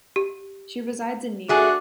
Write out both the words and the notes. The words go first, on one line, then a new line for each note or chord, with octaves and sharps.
She resides in New York.
G4
A3 D4 F#4 G#4